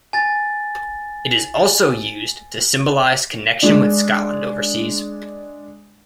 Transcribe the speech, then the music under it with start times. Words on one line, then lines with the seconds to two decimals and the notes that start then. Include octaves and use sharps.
It is also used to symbolise connection with Scotland overseas.
0.13 G#5 A6
3.62 G#3 D4